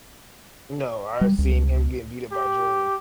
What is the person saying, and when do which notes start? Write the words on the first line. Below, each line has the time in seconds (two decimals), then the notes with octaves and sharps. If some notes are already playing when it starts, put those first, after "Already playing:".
No, I've seen him get beat up by Jordan.
1.21 G3
1.38 C#2
2.32 G4